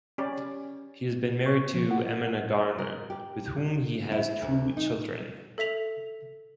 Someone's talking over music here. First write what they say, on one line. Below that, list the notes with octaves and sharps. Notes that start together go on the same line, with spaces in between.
He has been married to Amina Garner with whom he has two children.
C#4 G4 D5
C#6
F3
F#5
A#4
G4
E4
D2
D#4
A4 E5 B6 F7